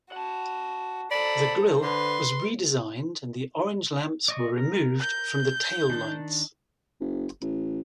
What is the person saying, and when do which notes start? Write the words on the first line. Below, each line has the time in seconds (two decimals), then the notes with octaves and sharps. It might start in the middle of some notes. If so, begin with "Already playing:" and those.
The grill was redesigned, and the orange lamps were removed from the taillights.
0.12 F#4 F#5 A5
1.11 A4 C5 D5 F#5 A#5 B5
1.82 D3 B4 C6
4.28 D5 D#5 C#6
4.57 A#4
5.00 G6
5.90 D#3 D4
7.00 F#1
7.42 A1